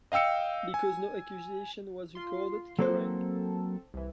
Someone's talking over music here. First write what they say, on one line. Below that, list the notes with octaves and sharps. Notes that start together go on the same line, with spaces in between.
Because no accusation was recorded, Kerrang!
D#5 F5 G5 E6 C#7
G#5
F4 C6
F#3 A#3 C4 A4 C5
C2 E3